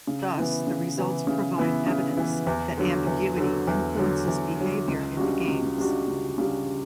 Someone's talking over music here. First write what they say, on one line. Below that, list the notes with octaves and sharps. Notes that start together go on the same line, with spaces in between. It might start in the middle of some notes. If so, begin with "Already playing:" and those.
Thus, the results provide evidence that ambiguity influences behaviour in the games.
C#3
E3 B3 E4
C#3
E3 B3 E4
C#3
E3 B3 E4
C#3
E3 B3 E4
E2
D3 F#3
E2
D3 F#3
E2
D3 F#3
E2
D3 F#3
C#2
C#3 G3 D4 F#4
C#2
C#3 G3 D4 F#4
C#2
C#3 G3 D4 F#4